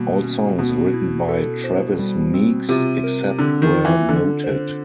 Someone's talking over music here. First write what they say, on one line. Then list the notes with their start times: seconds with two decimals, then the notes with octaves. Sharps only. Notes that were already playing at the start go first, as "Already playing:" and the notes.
All songs written by Travis Meeks except where noted.
Already playing: B2 D#3 G3 A#3
0.23 C#4
0.58 B2 B3
0.94 E4
1.28 A4
1.64 C5
1.99 G3
2.34 C4
2.69 C3 F4
3.03 A#4
3.39 D3 C4
3.62 D#3
3.74 F4
3.85 E3
4.09 D3 A4
4.44 C5